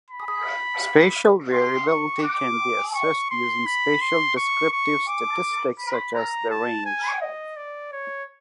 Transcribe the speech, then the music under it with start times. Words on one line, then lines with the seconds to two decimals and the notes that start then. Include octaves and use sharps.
Spatial variability can be assessed using spatial descriptive statistics such as the range.
0.10 B5
1.53 C6
1.88 C#6
2.24 D6
2.95 C#6
3.30 C6
3.66 B5
4.01 C6
4.37 C#6
4.72 C#6
5.08 D6
5.79 B5
6.14 A#5
6.50 A5
6.86 G#5
7.21 D#5
7.56 D5
7.92 C#5